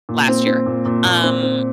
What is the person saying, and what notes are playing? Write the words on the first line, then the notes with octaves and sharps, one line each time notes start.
last year. Um,
A#2
C4
C4
A#2
A#2
A#2
C4
C4